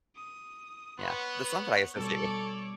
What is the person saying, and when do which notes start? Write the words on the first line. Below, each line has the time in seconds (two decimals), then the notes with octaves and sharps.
yeah, the song that I associate with
0.16 D#6
0.99 B3 C#5 B5 C6 F#6
1.96 B2 G3 A4 C#5 D5